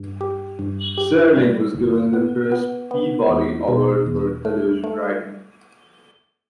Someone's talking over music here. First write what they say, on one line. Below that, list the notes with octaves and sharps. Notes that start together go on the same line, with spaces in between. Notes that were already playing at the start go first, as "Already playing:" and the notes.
Serling was given the first Peabody Award for television writing.
Already playing: G2
G4
G2
G4
G3
G1
B3
B3
B3
E2
B2
E2
A3
A3